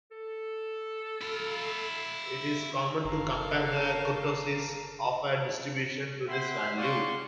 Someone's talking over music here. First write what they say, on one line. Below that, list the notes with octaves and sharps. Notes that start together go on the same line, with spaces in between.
It is common to compare the kurtosis of a distribution to this value.
A4
E4 F5
F#1 A4 A#4 F5 A#5
C5 E5 F#5 G5 B5 C6
C#5 D5 F5 C6 C#6